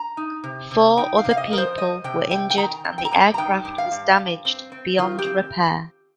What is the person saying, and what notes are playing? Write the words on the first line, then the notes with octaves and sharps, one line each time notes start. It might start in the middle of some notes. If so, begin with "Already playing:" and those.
Four other people were injured and the aircraft was damaged beyond repair.
Already playing: A#5
D#4
C3
C3
D#4 G5
F5
C3
F5
D#5
F3 A#4
C5
F3 D#5
C3 G5
C3 G5
G5
D#3 A#5
C4
G5
A#5
G2 G5
A#5
D#3 G5
G2
F5
G2
G2
C4
C4
D#3 F4
G4
C4